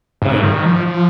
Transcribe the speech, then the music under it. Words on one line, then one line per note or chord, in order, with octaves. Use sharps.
Oh, yeah.
G#2
D#3
F3
F3